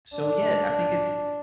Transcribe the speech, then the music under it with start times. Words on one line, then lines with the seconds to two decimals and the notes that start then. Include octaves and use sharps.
So, yeah, I think it's
0.16 D4